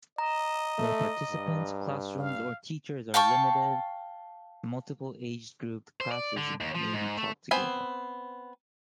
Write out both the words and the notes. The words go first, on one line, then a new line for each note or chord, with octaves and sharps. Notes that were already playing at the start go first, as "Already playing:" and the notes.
Where participants, classrooms or teachers are limited, multiple age-grouped classes may be taught together.
D#5 A#5
A3
G2
F5
F5 G5 A5 C#6
C5
D5
D3
D#2
F3
G#2
A3
B3 C4 C5 G#5 B5